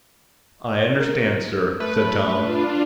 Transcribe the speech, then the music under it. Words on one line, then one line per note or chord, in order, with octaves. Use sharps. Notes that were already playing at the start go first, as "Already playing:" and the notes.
"I understand, sir," said Tom.
A#4
A3 B4
D4 F4